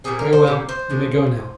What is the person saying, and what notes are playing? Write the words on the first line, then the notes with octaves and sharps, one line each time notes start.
"Very well, you may go now."
A#2 G3 C4 G#4
A#4
C5
A#2 G3 C4
C5
G#3 D4